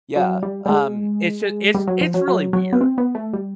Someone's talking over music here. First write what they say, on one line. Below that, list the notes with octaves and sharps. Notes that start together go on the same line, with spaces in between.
Yeah. Um, it's just, it's it's really weird.
F#3
G3
G3
G#3
G3
F#3
F3
F#3
F#3
F#3
B3
C4
B3
A3
G3